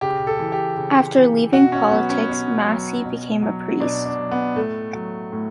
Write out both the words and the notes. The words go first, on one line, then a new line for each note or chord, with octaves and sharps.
After leaving politics, Massey became a priest.
C#3 G4
A4
E3
G4
C#3
E3
B2 F#4
C#4
F#3 B3
C#4
B2
F#3
B2
F#3
B2 D4
D4
F#3
B3
A2 A3
F#3
A2